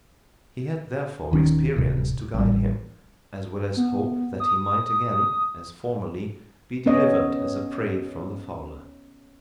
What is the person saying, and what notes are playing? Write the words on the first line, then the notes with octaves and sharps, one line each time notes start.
He had therefore experience to guide him, as well as hope, that he might again, as formerly, be delivered as a prey from the fowler.
D#1 D#3 C#4
D1 C3
A1 G3
B3
D#6
B3 C#4 C#5 D#5